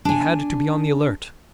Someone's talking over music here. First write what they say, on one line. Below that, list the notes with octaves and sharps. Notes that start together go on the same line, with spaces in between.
He had to be on the alert.
D4 G#5